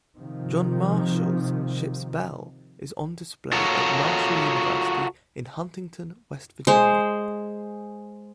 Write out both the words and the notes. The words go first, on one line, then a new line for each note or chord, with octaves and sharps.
"John Marshall"s ship's bell is on display at Marshall University in Huntington, West Virginia.
C3 D#3 F3
F4 F#4 A4 A#4 C#5
G#3 C5